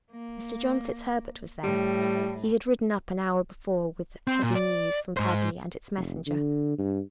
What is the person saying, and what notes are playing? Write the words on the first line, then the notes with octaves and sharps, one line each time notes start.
Mr. John FitzHerbert was there; he had ridden up an hour before with heavy news from Padley and its messenger.
A#3
A2 G3
C4
A#2
D5
G#2 C5
F1
D3
G2